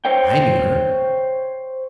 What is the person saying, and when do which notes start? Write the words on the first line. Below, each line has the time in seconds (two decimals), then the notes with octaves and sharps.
I knew her.
0.05 C5 C#5 G5